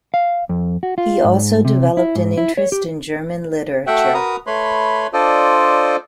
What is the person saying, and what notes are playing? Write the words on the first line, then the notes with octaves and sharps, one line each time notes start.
He also developed an interest in German literature.
F5
F2
F#4
F4
G#2
C3
E4
G#2
E4
C#5
G4
A3 F#4 E5 F#5 G5
F#4 A#4 B4 A#5 D#6
A3 B4 C#5 B5 C6
D4 F4 A4 C5 D5 D#5